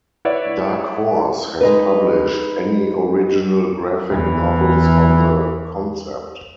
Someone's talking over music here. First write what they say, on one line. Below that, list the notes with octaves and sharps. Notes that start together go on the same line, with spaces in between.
Dark Horse has published any original graphic novels on the concept.
E4 B4 C#5 D5 E5 F#5
G#3 D#4 B4
E2 E3